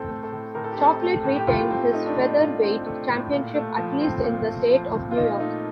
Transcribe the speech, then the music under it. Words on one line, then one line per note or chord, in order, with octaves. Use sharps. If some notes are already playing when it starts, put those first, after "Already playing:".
Chocolate retained his featherweight championship at least in the state of New York.
Already playing: A2 C4 A4
A3
A4
A2
A2 A#4
A4
G4
C4 A4
A3
A2
G4
A2 F4
C4
A3 D#4
D4
A2 D#4
A2 F4
C4
A3
A2
A#2
A3
F3
C4
A#2
A3
F3
C4
F4
A#2 D#4
A3 D#4